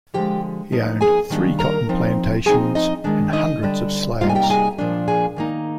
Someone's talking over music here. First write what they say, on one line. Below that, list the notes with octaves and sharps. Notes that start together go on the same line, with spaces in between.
He owned three cotton plantations and hundreds of slaves.
D3 F3 G#3 G4 G5
F3 A#3 D#4
G#4 G#5
D#3 G3 A#3 D4
A#4 A#5
F3 C4 D#4
F3 C4 D#4 G#4 G#5
D#4 D#5
D#3 G#3 D4
D#4 D#5
D3 G3 D4
C3 G3 A#3 D#4 F4 F5
G#5
G4 G5
A#5
G#4 G#5
A#2 F3 A#3 D4
G#4 G#5
D#3 A#3 D#4